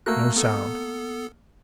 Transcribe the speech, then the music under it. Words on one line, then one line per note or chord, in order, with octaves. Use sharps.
No sound.
A3 A#3 F#4 E6 F#6
B3 A4